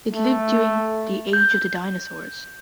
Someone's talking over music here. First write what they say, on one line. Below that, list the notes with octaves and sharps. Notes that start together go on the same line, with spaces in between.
It lived during 'the age of the dinosaurs'.
A3
G6